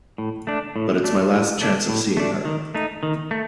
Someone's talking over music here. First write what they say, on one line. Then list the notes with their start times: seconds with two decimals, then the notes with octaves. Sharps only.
But it's my last chance of seeing her.
0.18 A2
0.47 A3 D4
0.76 A2
1.04 A3 D4
1.33 A2
1.61 A3 D4
1.89 A2
2.17 A3 D4
2.45 D#3
2.75 A3 D#4
3.03 D#3
3.31 A3